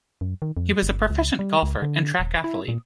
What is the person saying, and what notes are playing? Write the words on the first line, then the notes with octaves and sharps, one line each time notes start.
He was a proficient golfer and track athlete.
F#2
D#3
F2
G1
C#2
G3
C#2
D3
D#1
E4
A#2